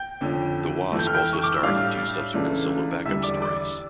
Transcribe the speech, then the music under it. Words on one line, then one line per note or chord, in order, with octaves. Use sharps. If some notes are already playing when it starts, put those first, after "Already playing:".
The Wasp also starred in two subsequent solo backup stories.
Already playing: G5 G6
F2 D3 F3 C#4
F2 E3 A3
G6
F6
G5 G6
C#6
D6
E6
A2 G3 D4 F5 F6
C#2 C#3 E3 A3 D4
E2 D3 G3 E5 E6
D5 D6
D5 D6